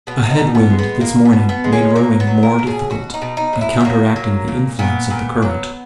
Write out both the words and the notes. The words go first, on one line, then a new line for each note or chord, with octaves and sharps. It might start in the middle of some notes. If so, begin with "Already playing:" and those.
A head wind this morning made rowing more difficult, by counteracting the influence of the current.
B2 B3
D#4
B2
B3
G#3
B3
B2 A#3
B3
B2
B3
G#3
C#4
F#3 A#3
B3
F#3
A#4
B2
G#4
B2 F#4
D#4
B2
D#4
F#3
E4
B3
F#3 A#3
F#3
A#2
A#2 B3
A#2
F#3